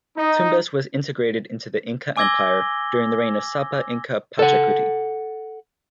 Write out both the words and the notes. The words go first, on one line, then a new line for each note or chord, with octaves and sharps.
Tumbes was integrated into the Inca Empire during the reign of Sapa Inca Pachacuti.
D#4
G#5 D6 E6 G#6 A#6 G7
A4 F#5